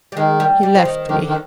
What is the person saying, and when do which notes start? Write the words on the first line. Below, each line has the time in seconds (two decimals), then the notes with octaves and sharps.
He left me.
0.12 G3
0.17 D#3 G#3
0.40 G3
0.63 G3
0.75 F3
0.85 D#3
1.09 D3 D#3
1.28 D#3